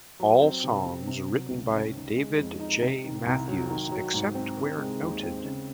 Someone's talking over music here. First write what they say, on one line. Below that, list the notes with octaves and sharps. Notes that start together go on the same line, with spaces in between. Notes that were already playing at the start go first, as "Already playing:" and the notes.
All songs written by David J. Matthews except where noted.
F#3
C4
C3
C3
C3
F#3
C#2
C#4
D#3
G#3
F2
D#4
C3
D#3
C2
F#3
D#3
F#3
G#2
C4
D#3
G#3
D#2
C4
C#3